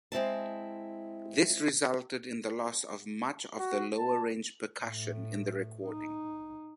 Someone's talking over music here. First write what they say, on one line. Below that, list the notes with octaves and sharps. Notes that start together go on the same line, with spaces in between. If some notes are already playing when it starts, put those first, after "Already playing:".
This resulted in the loss of much of the lower-range percussion in the recording.
G#3 C4 E4 A5
F#4
A5
A2
D#4